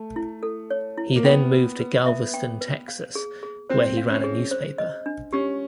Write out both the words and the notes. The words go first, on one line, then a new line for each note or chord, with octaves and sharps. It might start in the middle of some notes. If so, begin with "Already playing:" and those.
He then moved to Galveston, Texas where he ran a newspaper.
Already playing: A3
E4
A4
C#5
E4
A#3
B3 G5
B4
B4
B3 E5
G5
B4
F5
G#4
G#4
C4 C5
F5
C#4
G#4
C5
D#5
D4
C#4 G4